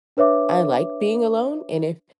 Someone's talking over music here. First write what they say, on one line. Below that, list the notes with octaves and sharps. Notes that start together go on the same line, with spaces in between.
I, like, being alone, and if
D4 B4 C#5 E5 D6